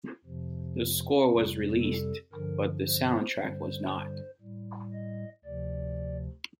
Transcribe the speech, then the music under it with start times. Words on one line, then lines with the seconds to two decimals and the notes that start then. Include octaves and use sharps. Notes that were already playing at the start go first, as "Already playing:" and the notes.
The score was released, but the soundtrack was not.
0.24 F2 C3 F3
1.29 F2 C3 G3
1.81 A4
2.33 G2 D3 F3 A#4
2.85 C5
3.37 G2 D3 G3
4.41 A2 G3
4.93 D#5
5.45 D2 C3 F3 D5